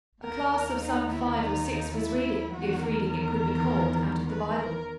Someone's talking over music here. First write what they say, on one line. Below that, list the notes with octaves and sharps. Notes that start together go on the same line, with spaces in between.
A class of some five or six was reading, if reading it could be called, out of the Bible.
D#2 D#3 A#4
A#4
D#4
E4
D#4
D#4
E4
E2 D#3 F#4
A#4
B4
A#4